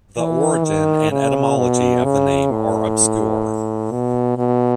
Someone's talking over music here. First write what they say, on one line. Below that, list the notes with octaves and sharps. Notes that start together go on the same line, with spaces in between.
The origin and etymology of the name are obscure.
E3
D#3
C#3
B2
C#3
A2
B2
B2